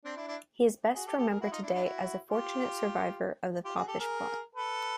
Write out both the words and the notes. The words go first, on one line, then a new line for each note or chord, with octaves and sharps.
He is best remembered today as a fortunate survivor of the Popish Plot.
C4 D4
D4 E4
D4 E4
F#4 G#4
G4 A4
G4 A4
G#4 A#4
E4 F#4
D#4 F4
D4 E4
D4 E4
E4 F#4
F4 G4
F4 G4
F#4 G#4
G4 A4
G#4 A#4
A4 B4